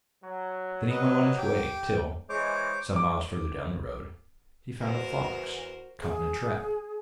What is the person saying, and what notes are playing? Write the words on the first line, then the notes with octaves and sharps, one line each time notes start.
Then he went on his way till, some miles further down the road, he found a fox caught in a trap.
F#3
B4 D#5
G4 G5
E3 G#3 C5 C#5 D6
D6
E2 F#4 A#4 C5
G#4